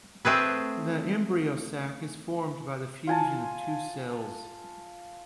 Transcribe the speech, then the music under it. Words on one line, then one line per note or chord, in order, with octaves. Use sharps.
The embryo-sac is formed by the fusion of two cells.
A3 C4 G#4 B4
F4 G#5 A5